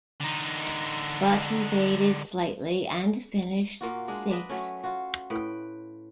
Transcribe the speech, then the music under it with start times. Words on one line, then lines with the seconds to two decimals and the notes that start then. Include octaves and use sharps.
But he faded slightly and finished sixth.
0.20 D3 D#4
3.81 A#2 A#3 F4 F#4
4.08 G#3 D4
4.30 D4 B4 D#5
4.49 F#3 A3 C#4
4.84 F4 F#4
5.30 A2 B4 G5